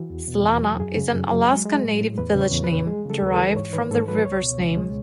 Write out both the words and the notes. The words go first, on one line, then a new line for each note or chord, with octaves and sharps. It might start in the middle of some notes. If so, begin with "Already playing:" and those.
Slana is an Alaska Native village name, derived from the river's name.
Already playing: E3 F#4
E2
B2
E2
F#3
F#2 G#4
C#3
F#2
F#3
G#3
G#3
A2
A2
E2 B4
C#3
C#5
E2
B4
E3
G#3 G#4
C#3 A4
D#2 B4
A4
E3
G#2 C#5
D#3 B4
G#2 A4
F#3 B4
C#2 C#5
B2
C#2
G#3